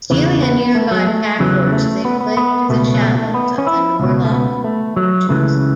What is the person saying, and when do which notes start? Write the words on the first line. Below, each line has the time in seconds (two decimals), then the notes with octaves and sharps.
Stealing a nearby pack-horse they fled through the shallows of the Nor Loch marshes.
0.10 E2 C#3 E3
0.42 B3
0.75 A3
0.91 F#3
1.07 A3
1.40 E2 C#3 E3 F#3
1.72 A3
2.05 B3
2.21 B3
2.37 B3
2.69 C#2 B2 A3
2.94 F#3
3.01 A3
3.18 A3
3.34 B3
3.58 C#4
3.67 E4
4.00 C#2 B2
4.25 A3
4.31 B3
4.64 A3
4.96 F#3
5.29 C#2 C#3 E3 A3